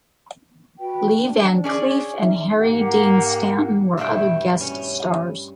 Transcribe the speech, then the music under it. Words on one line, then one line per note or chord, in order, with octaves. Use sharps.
Lee Van Cleef and Harry Dean Stanton were other guest stars.
F#4 B4 G5
D4
C#4 G#4 D5
G#5
C#4 D#4 E5
G#2 A#3 G4 F#5
G2 B2 A3 E4 G4 G5
C#4